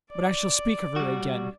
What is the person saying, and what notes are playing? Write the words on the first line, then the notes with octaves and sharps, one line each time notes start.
But I shall speak of her again.
D5
G3 F#4